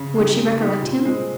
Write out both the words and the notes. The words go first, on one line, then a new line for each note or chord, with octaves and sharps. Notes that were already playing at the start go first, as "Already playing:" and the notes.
Would she recollect him?
Already playing: C#3
G#3 D#4 G4
C#3
G#3 D#4 G4
A#2
G#3 C4